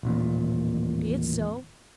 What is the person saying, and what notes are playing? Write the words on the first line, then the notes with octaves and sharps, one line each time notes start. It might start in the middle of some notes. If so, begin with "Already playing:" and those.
Be it so.
D#1 A1 A#2